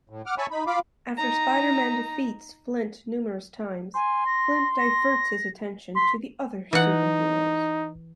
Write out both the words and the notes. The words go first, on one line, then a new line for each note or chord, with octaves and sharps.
After Spider-Man defeats Flint numerous times, Flint diverts his attention to other super heroes.
A2
F#5 D6 F6
C#5 E5 G#5 A5 B5 C#6
D#4 B5
F4 F5 B5 D6
D#4 A#5
G#5 C6
A#6
A#6
C6 B6
E3 D#4 F#5